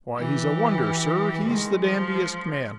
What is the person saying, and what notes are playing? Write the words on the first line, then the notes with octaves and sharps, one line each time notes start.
Why, he's a wonder, sir; he's the dandiest man.
E3 G4
D#3 G#3
F3